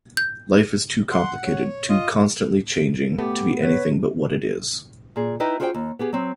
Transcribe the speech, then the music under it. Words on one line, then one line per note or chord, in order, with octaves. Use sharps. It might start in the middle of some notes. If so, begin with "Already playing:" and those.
Life is too complicated, too constantly changing, to be anything but what it is.
G6
F#5 C6
C#5
F4 D#5
A3 B3 G4
B4 C#5
A#2 G#4
D#4 E4 B4 D#5 G5
F4 F#4 G#4 C5 F5 G5
D#2
B3 G4 G#4
F#3 C4